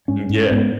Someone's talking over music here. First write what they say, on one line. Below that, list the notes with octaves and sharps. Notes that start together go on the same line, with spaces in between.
Mm yeah.
G#2 C#4
G#2
G#2 B3